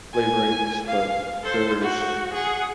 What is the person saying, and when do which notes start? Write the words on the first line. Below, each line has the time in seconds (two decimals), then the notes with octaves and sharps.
flavorings, but there's
0.13 G#5
0.87 F5
1.43 A4 C5
1.81 F#4
2.33 G#4 F#5